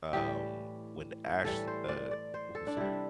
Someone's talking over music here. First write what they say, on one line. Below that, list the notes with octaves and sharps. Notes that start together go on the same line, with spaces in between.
um, when Ash uh, what was her
A2 E3 G3 G4
A2 E3 G3 A4
C5
D5
D5
C5
A4
D4
C3 G3 E4